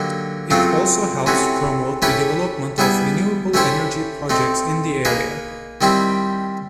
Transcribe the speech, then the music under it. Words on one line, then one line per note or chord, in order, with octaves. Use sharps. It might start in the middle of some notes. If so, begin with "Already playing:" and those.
It also helps promote the development of renewable energy projects in the area.
Already playing: D3 F#3 A#3 D#4 G4
C#3 F#3 A3 C4 F4
C3 E3 A3 C#4 F#4
A3 C#4 E4 G4 B4
G3 B3 E4 G#4 B4
A3 C#4 E4 G4 C5
A3 C4 D#4
A#3 D#4 G#4 B4
D#3 G3 C4 E4 G4